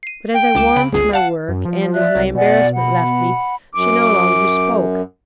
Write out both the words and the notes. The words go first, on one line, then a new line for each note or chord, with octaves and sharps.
But as I warmed to my work, and as my embarrassment left me, she no longer spoke.
C7 D#7
G5
C#2 D6 E7
C#3 B5 D7
G1 C#2 G#4
F5 F#5 A5
F#2
F3
D5 E5 F#6
C2
B2 D5 F#5 G#5
F#5 B5
F#2 D6